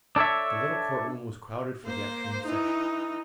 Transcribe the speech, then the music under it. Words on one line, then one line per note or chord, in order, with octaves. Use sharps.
The little Court Room was crowded for the afternoon session.
D4 A4 C#5 E5
A#3 C5
E3 D#4